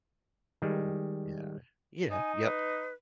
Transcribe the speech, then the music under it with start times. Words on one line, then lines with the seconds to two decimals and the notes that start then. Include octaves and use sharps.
Oh yeah, yeah, yep,
0.62 D#3 G3 G#3
2.11 D#4 G#5
2.41 B4